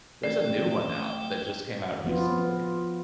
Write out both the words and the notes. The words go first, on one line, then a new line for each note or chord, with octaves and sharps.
There's a new one out that just came out recently.
A3 D5 G5
F3 B3 F4